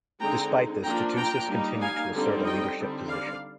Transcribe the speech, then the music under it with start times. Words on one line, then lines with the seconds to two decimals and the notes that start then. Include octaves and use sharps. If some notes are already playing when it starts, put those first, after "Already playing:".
Despite this Tootoosis continued to assert a leadership position.
0.20 D3 G#3 C4 D#4 G5 A#5
0.84 F3 A#3 D4 G5 A#5
1.16 G5 A#5
1.49 G3 A#3 D#4
1.81 F5 G#5
2.13 D3 G3 C4 D#4
2.45 D#5 G5
2.76 D3 G3 C4 D#4
3.09 D5 F5